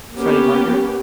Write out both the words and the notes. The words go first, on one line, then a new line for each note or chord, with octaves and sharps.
Freddie Mercury?
A#3 B3 C#4 G4